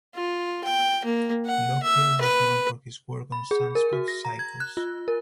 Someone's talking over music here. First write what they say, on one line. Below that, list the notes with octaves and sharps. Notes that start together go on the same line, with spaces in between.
Lockyer was known for his work on sunspot cycles.
F4
G5
A#3
F#5
E5
B4
B5
G#4
A#4
F#4
A#6
A#5
G#6
F#6
F4
A#4